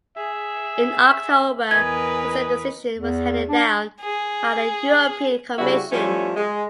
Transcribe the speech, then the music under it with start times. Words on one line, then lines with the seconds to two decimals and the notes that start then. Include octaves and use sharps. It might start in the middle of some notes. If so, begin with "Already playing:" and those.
In October, the same decision was handed down by the European Commission.
0.17 G#4 E5
1.71 E2 A#4 B4 D#5 G#5 G#6
2.98 E2
3.49 D4
4.01 G#4
5.59 C#3 G3 E4 F#4
5.92 F3 G3 A3 C#4 E4
6.37 G#3